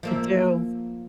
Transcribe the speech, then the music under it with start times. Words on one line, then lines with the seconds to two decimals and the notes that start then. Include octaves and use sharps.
I do.
0.03 F3 A#3 E5